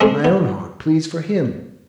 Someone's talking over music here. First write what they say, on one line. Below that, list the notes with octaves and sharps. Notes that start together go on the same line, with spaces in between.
My own heart pleads for him.
G#3 A3 C4 D4
B3